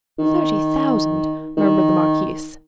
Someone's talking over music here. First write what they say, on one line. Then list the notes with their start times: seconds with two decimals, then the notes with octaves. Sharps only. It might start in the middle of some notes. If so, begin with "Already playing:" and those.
"Thirty thousand," murmured the marquise.
0.19 D#3
1.57 D#3